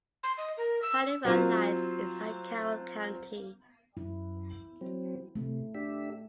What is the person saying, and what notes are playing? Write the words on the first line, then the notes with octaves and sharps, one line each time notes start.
Piney Run lies inside Carroll County.
C6
D#5
A#4
E6
F#3 C4 F4
F#2 E4
F#3 C4
C3 A3
D4 G4 E5